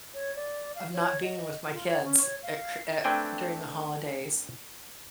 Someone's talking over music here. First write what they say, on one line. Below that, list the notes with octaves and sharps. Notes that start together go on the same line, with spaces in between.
of not being with my kids, uh, Chr uh during the holidays.
C#5
D5
F5
C#5
D#5
F4
C#5
C#4
C#5
F5
A3 C4 D4 B4 G5 G#5